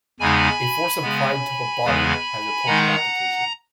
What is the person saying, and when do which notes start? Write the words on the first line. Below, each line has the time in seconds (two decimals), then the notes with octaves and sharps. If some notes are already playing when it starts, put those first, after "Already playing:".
A force applied to a body has a point of application.
0.20 E2 C#3 G#3 B3 D#4 G#5 B5
1.02 C#3 G#3 B3
1.85 E2 C#3 E3 G#3 B3
2.66 D#3 G#3 D#4 F#5 A#5